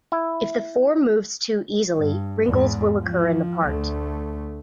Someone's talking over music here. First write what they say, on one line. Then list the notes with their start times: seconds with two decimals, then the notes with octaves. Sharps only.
If the form moves too easily, wrinkles will occur in the part.
0.12 E4
1.94 G2
2.46 E2 G#2
3.01 F3
3.64 D2 A3